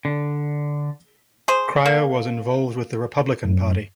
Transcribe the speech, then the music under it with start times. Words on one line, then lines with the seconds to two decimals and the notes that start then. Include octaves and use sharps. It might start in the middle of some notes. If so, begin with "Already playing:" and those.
Krier was involved with the Republican Party.
0.05 D3
1.48 G#4 C5
1.86 A#3
3.45 F#2